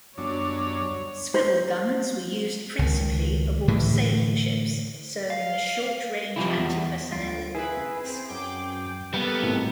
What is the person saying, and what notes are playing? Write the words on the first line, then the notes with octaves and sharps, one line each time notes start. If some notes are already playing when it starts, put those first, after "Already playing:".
Swivel guns were used principally aboard sailing ships, serving as short-range anti-personnel ordnance.
G1 F#2 D4 C#5
C5
C#2 D#3
A2 D3 E3
F5
F3 G3 E4
E2
D2 F4 D7
E4 G#4 B4
C4
F#2 G5 D6
G3 A#3 B3 A4
G#1 A2